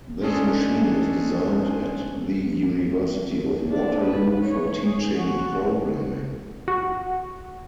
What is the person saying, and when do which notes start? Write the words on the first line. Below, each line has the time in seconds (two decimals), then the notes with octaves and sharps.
This machine was designed at the University of Waterloo for teaching programming.
0.22 G#3 C#4 D4 G#4 A4
3.70 D4
4.03 B4
4.44 C#5
4.86 G#4
5.17 F#4
6.68 F#4